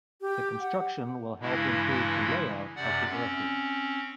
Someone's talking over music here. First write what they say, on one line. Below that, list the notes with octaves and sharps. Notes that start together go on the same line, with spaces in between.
The construction will help improve the layout of the airfield.
G4
F#5
G2 C#3 E3 G#3 E4
F#2 C3 D5 F#5
C4 C#4